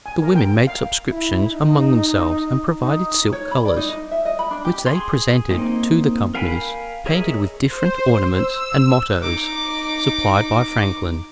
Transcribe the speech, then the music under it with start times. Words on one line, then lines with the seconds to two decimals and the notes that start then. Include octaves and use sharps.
The women made subscriptions among themselves, and provided silk colors, which they presented to the companies, painted with different ornaments and mottoes, supplied by Franklin.
0.06 G#5
0.22 A#4
0.35 G5
0.67 F5
1.10 E4
1.51 D#4
2.80 D#4
3.32 C#5
3.51 B5
3.65 D5
3.77 D#4
3.89 D#5
4.11 E5
4.25 D#5
4.39 B5
4.51 D4
4.65 G4
4.87 G#4 C6
5.50 A#3 C4 D#4
6.35 A#4 F5 G5 G#5 B5
7.06 G#4 A#4 C#5 D#5 E5
7.65 C5
8.22 E6
9.21 D#4 D6